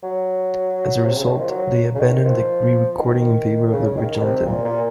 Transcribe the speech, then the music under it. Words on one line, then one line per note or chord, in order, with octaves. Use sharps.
As a result, they abandoned the re-recording in favour of the original demo.
F#3
C3
C#3
D#3
F3
F#3
C#3
D#3
F3
D#3
C#3
C#3
D#3
C3
A#2
A#2